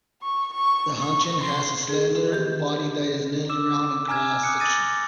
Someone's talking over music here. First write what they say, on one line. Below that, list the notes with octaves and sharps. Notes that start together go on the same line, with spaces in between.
The huchen has a slender body that is nearly round in cross-section.
C#6
C#6
C#6
C6
G#4
D#3 G4 G6
D6 E6 E7
G#5 A#5 F6 G#6
D6 D#6 F#6 C#7
D#6 A6 A#6 D#7